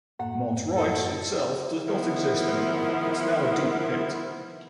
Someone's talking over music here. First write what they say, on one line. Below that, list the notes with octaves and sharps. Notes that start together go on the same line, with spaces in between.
Mont Wright itself does not exist anymore; it's now a deep pit.
F#2 A2 A#3 F#5
A4 F#5
D#3 F3 B3 E4